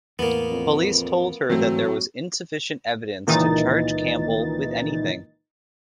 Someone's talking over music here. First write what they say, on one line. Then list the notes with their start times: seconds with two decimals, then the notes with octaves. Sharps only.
Police told her that there was insufficient evidence to charge Campbell with anything.
0.19 E2 A2 A#3 B3
0.51 F2
1.50 G#2 E3 F#3 A3 C4
3.27 C#2 A#2 D#3 E3 D#4 A6